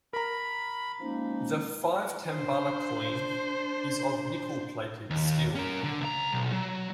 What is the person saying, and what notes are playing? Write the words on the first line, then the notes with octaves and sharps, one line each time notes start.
The five tambala coin is of nickel-plated steel.
A#4 A#5 B5
F3 G#3 A#3 C#4 D#4
D4 C5
D#2
C#4 A#4
D3
C#2 A#5
B1
F#3